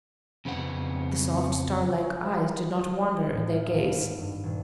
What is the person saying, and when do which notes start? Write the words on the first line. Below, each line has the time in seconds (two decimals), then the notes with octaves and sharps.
The soft, star-like eyes did not wander in their gaze.
0.45 F2 C#3 B3 C4 F#5
3.31 A2
3.49 F5
3.73 G#1
4.18 G2
4.43 D#1